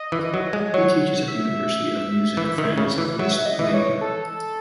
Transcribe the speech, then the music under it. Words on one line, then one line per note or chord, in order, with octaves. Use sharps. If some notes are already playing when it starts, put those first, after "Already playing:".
He teaches at the University of Music Franz Liszt Weimar.
Already playing: D#5
E3
F#3
G#3
F#3 C#5
E5
E3
D#3
C#3
E3
F#3 E5
E5
D#5
E3 D#5
C#5
A4